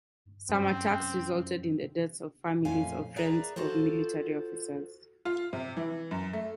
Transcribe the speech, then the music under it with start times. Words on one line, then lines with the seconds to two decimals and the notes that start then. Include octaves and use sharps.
Some attacks resulted in the deaths of the families or friends of military officers.
0.50 F#2 C4
2.65 F2 A#2 A3 C#4 F5 G#5
3.16 G#4 A#4 B4 D5 E5 A#5
3.56 F4 F#4 A4 C5
5.25 F4
5.53 C3
5.77 E3
6.11 F#2
6.33 A3